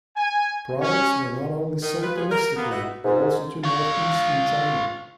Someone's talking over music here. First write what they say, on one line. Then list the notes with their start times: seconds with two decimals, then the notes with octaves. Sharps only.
Products were not only sold domestically, but also to northeastern China.
0.17 G#5
0.82 C#4
1.83 D#3
2.01 F4 B4
2.15 C3 B3 F4 G#4
2.30 A#4
2.56 A#3 B3
2.71 B3 D#4 E4 F#4
3.05 G#2
3.64 F4 C#5